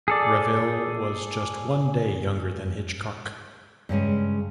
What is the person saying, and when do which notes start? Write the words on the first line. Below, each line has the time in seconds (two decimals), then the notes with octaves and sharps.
Reville was just one day younger than Hitchcock.
0.08 G#4 A4 D5
3.89 G2 C#3 G#3 C#4